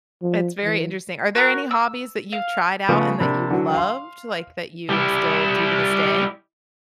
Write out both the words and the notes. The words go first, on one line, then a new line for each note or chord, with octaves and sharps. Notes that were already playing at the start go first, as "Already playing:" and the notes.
It's very interesting. Are there any hobbies that you've tried out and that you've loved, like, that you still do to this day?
F3
E3
F#4 A#4
E6
F5
C#3 F3 A3 B3
C3 A#3 D4 B5
D3 E3 F#3
F5 C6
G3 E4